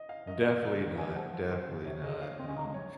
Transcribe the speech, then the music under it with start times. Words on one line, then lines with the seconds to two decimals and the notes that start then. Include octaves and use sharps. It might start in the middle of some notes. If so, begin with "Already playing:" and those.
Definitely not, definitely not no,
Already playing: D#5
0.09 F5
0.27 F#2 D#5
0.45 A#2
0.62 C3 F5
0.74 C#3
0.86 D#3
0.98 D#3 G#5
1.15 F3 F#5
1.33 F3 F5
1.50 D#3 C5
1.68 C#3
1.85 C3 C#5
2.03 C#3 D#5
2.22 F5
2.39 C4 D#5
2.47 C#4
2.57 D#4
2.65 G#3
2.74 F#3 C#5